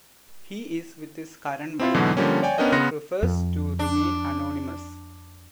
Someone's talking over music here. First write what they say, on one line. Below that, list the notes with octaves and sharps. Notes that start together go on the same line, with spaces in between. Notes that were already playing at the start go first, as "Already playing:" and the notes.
He is with his current wife, who prefers to remain anonymous.
C4 E4 F4
G#2 B2 D3 E3 F#3
D3 F3 G3 A#3 C#4
C#5 D5 G5 G#5
B3 C#4 D4 A#4 D#5 G5
C#3 B3 C6 F#6 A#6 C#7
F2
D4